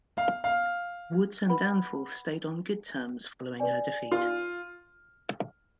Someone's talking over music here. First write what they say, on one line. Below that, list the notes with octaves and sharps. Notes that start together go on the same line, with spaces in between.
Woods and Danforth stayed on good terms following her defeat.
F5
F5
B4 F#5 B5
B4 D5 G#5
F4